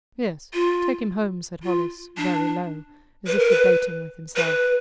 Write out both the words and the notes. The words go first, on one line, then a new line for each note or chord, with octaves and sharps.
"Yes, take him home," said Hollis, very low, as if debating with himself.
F4
F4
D4
B4
A#4
B4
B4